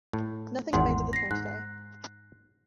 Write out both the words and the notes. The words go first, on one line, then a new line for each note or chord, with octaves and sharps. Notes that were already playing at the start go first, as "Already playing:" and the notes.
Nothing remains of the town today.
A2
G#1 E2 G#2 F#5 C6
A#6 C7
G#2 F#6